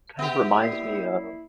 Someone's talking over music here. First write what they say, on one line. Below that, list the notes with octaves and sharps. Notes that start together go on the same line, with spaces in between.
It kind of reminds me of
B3 G4 E5 F#5
A#3 E4 D5 C7